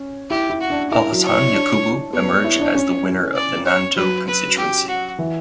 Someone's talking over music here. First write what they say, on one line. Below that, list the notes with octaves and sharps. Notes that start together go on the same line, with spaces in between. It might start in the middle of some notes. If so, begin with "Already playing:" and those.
Alhassan Yakubu emerge as the winner of the Nanto Constituency.
Already playing: C#4
E4 G4
E4
F#4
D4
E4 A#4
F#3
C#5
E4
D4
B3 C#5
E4
D4
C#4
D5
C#5
F#3 B4
B4
G4
F#4
E3